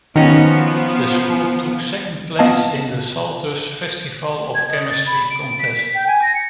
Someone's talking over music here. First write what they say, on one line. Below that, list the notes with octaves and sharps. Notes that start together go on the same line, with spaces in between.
The school took second place in a Salter's Festival of Chemistry contest.
D#3 F3 B3 C#4 D#4 F#4
B3 D#5 F5 A5
G#6
D#5
A6
B5
D7
B6
B6
G5
G#5
A#6
C#7